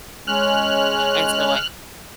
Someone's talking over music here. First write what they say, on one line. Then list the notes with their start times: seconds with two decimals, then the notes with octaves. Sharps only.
And so I
0.27 G#3 C#4 F6 F#6